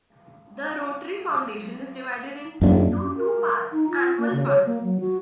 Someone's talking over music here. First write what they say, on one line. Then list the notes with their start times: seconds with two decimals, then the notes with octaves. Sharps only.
The Rotary Foundation is divided into two parts: Annual Fund.
2.62 D#1 F#2 D4
3.01 C#4
3.17 A#4
3.73 D#4
3.89 F4
4.18 A#3
4.33 C#3
4.47 C#5
4.66 A#3
4.83 F#3
5.00 F#4